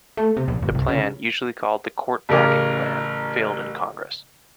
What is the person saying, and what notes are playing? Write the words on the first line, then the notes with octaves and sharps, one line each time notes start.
The plan, usually called the "court-packing plan", failed in Congress.
A3
C3
A#1
G1
C2
C#3
A1 C#3 A#4 D6